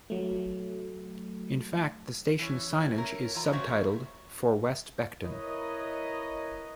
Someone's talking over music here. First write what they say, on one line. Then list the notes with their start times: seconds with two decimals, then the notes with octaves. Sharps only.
In fact the station signage is subtitled "For West Beckton".
0.10 F#3 A3
2.39 E3 C#4
2.81 E4
2.94 A3 C#4 A#4
3.35 E3 F4 A#5
3.52 A3 C#4 F#4 C5 C#5 E5
5.25 E4 A#4 B4 C#5 D#5